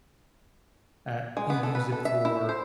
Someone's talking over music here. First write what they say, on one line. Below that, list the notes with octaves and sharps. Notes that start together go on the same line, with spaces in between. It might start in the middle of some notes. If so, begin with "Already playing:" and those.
uh, you use it for
G#3
B3
A4
B4
A4
E5
E4
C5